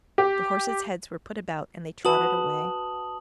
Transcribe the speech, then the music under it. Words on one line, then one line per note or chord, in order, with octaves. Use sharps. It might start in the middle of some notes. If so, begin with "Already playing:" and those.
The horses' heads were put about, and they trotted away.
G4
F#4 B4 A5 D#6 F#7